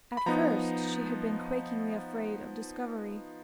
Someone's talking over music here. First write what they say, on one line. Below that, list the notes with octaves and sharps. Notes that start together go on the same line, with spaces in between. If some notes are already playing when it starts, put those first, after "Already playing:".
At first she had been quakingly afraid of discovery.
B5
F3 B3 D#4 A#5